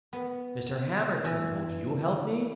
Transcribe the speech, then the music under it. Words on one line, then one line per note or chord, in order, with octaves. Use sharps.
"Mr. Hamerton, won't you help me?"
B3
E3